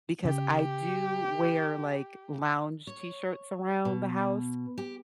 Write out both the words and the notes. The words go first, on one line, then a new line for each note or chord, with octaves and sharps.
because I do wear, like, lounge t-shirts around the house,
C#3 G4
C#5
B2
G4